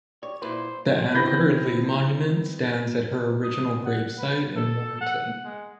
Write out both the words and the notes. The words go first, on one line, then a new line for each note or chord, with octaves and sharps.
The Anne Carter Lee Monument stands at her original gravesite in Warrenton.
G3 C#5
A#2 E4 B4 C5
E3 B3 C4 B5 G6 A#6
D#6
F#5
B4
A4
F#5
G#3